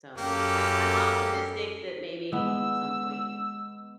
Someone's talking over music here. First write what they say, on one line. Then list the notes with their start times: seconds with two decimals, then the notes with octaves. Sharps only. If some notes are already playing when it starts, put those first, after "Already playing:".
So I'm I'm optimistic that maybe some point
0.18 F#2 A#3 C#4 G4 A4
2.32 G#3 B3 E6